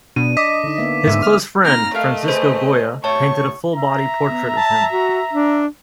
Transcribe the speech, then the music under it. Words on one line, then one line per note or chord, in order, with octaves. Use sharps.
His close friend, Francisco Goya, painted a full body portrait of him.
B2 D4 D#7
D#5 D6 B6
D3 D#4
A#3 B3 E5
G#2 E5
F6
A#3 C4 D#4 F6 A#6
A3 A#4 D#5 F5
G#4 B4 C5
A2 G3 C#5 A5 C#6
E5 A#5
B3
A5
F#4
D4